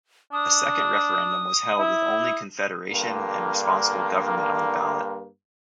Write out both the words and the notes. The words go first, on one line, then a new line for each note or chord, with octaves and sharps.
A second referendum was held with only confederation and responsible government on the ballot.
D4 D#6
E4
G2 D3 A#3